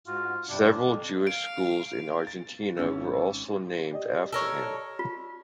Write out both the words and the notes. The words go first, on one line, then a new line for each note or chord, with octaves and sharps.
Several Jewish schools in Argentina were also named after him.
G#2 F4 F#4
G2 C3 G3 D4
F2
F5 D7
A6
G#1 C#4 E6
G4 D5 D#5
A4 A#4 C#5
F4